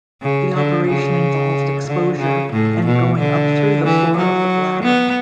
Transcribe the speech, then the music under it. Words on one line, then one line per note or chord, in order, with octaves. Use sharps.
The operation involved exposure and going up through the floor of the bladder.
C#3
D3
C#3
D3
C#3
A2
B2
D3
E3
F#3
B3